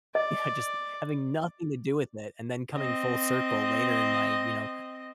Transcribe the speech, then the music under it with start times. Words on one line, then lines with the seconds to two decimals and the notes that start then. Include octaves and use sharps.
I just having nothing to do with it, and then coming full circle later in my, you know,
0.15 D5 D#5
2.75 C4 D#5